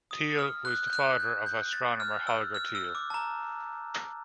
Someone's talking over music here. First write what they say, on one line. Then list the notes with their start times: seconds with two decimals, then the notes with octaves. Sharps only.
Thiele was the father of astronomer Holger Thiele.
0.11 D#6
0.39 F6
0.65 F#6
0.88 G6
0.93 F#6
1.20 G6
1.46 G6
1.73 A6
2.00 F6
2.27 E6
2.55 F6
2.75 E6
2.95 D6
3.10 A5
3.14 A#5